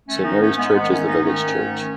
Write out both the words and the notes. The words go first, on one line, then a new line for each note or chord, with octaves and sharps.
Saint Mary's Church is the village church.
A3 C#4
D#3
B3 D#4
G#2
A3 C#4
G#2 G#3 B3
G#3 B3
D#3
A3 C#4
G#2
B3 D#4
D#3 A3 C#4
G#2
D#3